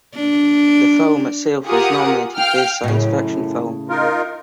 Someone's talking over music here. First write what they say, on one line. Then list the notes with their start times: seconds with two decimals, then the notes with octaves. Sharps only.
The film itself was nominated Best Science Fiction Film.
0.14 D4
1.65 F4 G4 G#4 A#4 F#5 D#6
2.36 F5 G5 F6
2.84 F#2 A2 C#3
3.89 D#4 F4 A#4